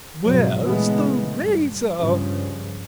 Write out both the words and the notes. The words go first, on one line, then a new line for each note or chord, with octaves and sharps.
"Where's the razor?"
F2 G#2 B2 F#3
A#2 C#3 E3 G#3 A3 B3
G2
G2 C#3 F3